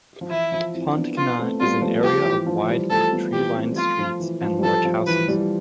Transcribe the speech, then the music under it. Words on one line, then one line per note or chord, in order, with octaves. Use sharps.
Pontcanna is an area of wide tree-lined streets and large houses.
F3
E3 E4
F3
C4 E4
B3 D4
F4
A3 C4
G3 B3 F4
F3 A3
F3 G4
E3
F3
E3 G3
F3 A3 A4
G3 B3
E3 G3 G4
A3 C4
G3
F3 A3 F4
F3
E3
F3
G3
F3 A4
F3
E3 B4
E3 G3